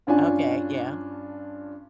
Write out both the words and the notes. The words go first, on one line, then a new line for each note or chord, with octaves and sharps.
Okay, yeah.
G2 C#4 D4 F4 G#5